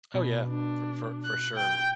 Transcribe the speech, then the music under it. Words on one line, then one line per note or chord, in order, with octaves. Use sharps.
Oh, yeah, for for for sure,
B2
D4
F#6
G5 G6